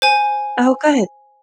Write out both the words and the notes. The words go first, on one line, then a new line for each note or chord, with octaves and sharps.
Oh, good.
C5 G#5